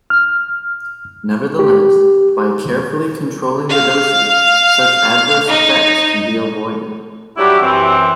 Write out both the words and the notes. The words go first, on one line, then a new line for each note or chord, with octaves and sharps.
Nevertheless, by carefully controlling the dosage, such adverse effects can be avoided.
F6
G4
F5
D#4
F#3 G3 D4 E4 F#4 G4
F#2 E3 C4